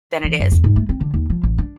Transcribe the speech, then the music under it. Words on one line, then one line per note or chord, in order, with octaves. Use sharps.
than it is?"
E3
F#2
E2
G#2
A3
C4
D3
D#2
F3
A1
D4